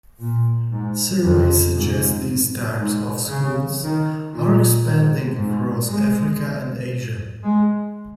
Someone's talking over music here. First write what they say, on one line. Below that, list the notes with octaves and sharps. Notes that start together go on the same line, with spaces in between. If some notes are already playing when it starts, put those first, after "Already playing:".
Surveys suggest these types of schools are expanding across Africa and Asia.
A#2
G#2
F2
G#2
G#2
C#3
D#3
A#2
G#2
G#2
G#3
G#3